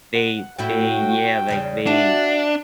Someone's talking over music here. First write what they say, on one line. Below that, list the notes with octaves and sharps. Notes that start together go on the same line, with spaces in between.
they they yeah, like, they
F#5
A2 A3 E4 F#4 G5
E2 C#3 G3
D4 F#4 E5 F#5